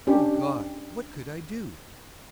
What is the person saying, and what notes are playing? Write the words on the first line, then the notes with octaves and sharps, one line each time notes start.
Oh God! what could I do?
C#4 D4 G4